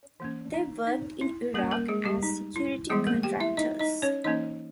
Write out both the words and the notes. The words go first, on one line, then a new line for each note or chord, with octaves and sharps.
They worked in Iraq as security contractors.
E3 A#3 C#4
D#4
D#4
E4
G3 A#3 C#4 A#4
A#3 A#4
G#3 G#4
G3 G4
D#4
E4
E3 G3 G#3 B3 G#4
A#3 A#4
G4 G5
E4 E5
D#4 D#5
D#4 D#5
C#4 C#5
E3 A#3 C#4 D#4 D#5